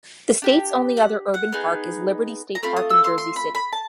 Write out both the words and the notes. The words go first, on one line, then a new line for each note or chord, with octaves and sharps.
The state's only other urban park is Liberty State Park in Jersey City.
D4 G4
F#5
F#5
B3 D#4 G#4
A#5
A3 C4 F4 B5
D#6
E6
C6
C6
B5
B5
A5